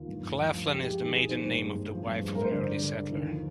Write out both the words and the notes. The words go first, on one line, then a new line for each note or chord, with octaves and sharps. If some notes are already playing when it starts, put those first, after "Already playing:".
Claflin is the maiden name of the wife of an early settler.
Already playing: D#2 F4
G2
G2
F3
F3
G#3 G4
G#3
G4
D#3
G#4
D#3
D#3 C5
G2
G#3
G2
F3
G2
G#3
G2 A#4
C5
D3 D5
G#3
D3
D3
D#2
F3